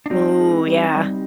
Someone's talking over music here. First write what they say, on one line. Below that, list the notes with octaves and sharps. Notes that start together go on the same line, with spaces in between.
Ooh, yeah.
D4
G3 C4 D#4
G#3
G3
G3